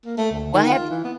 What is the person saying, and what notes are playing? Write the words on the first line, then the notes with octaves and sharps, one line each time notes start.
Well, have y
A#3
A3
D2
D#3
F4
E3
B3